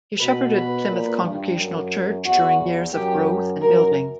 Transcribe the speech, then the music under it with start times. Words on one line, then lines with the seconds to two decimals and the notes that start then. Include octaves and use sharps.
He shepherded Plymouth Congregational Church during years of growth and building.
0.20 B2 B4
0.54 B4
0.88 A#2
1.22 G2
1.57 F#2
2.25 E2 F#4
2.93 F#2 G4
3.62 F#2 A#4